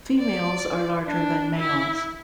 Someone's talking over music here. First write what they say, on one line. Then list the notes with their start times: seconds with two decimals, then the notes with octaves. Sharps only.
Females are larger than males.
0.19 D5
1.06 D4
1.57 E4